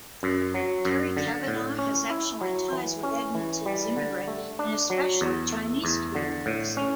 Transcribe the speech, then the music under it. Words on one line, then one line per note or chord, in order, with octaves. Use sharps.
Terry Cavanagh has excellent ties with Edmonton's immigrant and especially Chinese communities.
F#2
F#3
F#2
D3
A2
C#4
E4
F#3
E3
C#4
E3
G3
D3
A3
D4
F#3
E2
A3
E2
D3
A2
C#4